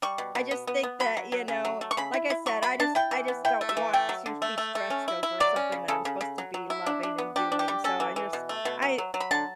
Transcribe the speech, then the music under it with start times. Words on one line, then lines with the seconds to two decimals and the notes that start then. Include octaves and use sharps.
I just think that you know, like I said, I just I just don't want to be stressed over something that I'm supposed to be loving and doing, so I just I
0.02 G3 C#6
0.18 B2
0.35 B2
0.51 B3
0.67 B3
0.83 B3
1.00 F#3 B5
1.17 F#3
1.32 F#3
1.48 C#3
1.65 F#3
1.81 A3
1.91 C#6
1.97 C#3 B5
2.14 E4
2.30 E4
2.46 F#3 C#6
2.63 F#3 B5
2.80 D4 A5
2.95 E4 G5
3.11 E3
3.28 B3
3.45 E4 G5
3.61 A3
3.69 E5
3.77 E3
3.93 A3 G5
4.09 F#3
4.26 D3
4.42 A3
4.58 A3
4.75 A3
4.90 C#4
5.08 E4
5.23 E4
5.40 F#3 D5
5.56 C#4
5.72 C#3
5.88 C#3 A4
6.05 C#3
6.21 C#3
6.38 F#3
6.54 F#3
6.70 E4
6.86 D4
7.03 D4
7.18 B3
7.36 D4 G4
7.52 D4
7.59 G4
7.68 G3
7.84 C#4 A4
8.00 E3
8.16 E3
8.33 B2
8.49 A3
8.65 B2
8.82 F#3
8.98 F#3
9.14 F#3
9.20 B5
9.31 D3 A5